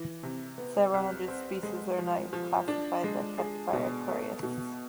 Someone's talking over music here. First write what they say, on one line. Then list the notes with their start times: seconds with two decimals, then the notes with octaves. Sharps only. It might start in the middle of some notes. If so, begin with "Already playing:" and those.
Several hundred species are not yet classified, but kept by aquarists.
Already playing: E3
0.23 C3
0.58 B3
0.94 C2
1.28 C4
1.63 G#3
1.99 F3
2.33 F3
2.68 D4
3.04 G#3
3.38 G#4
3.73 B2
4.09 A3
4.43 B2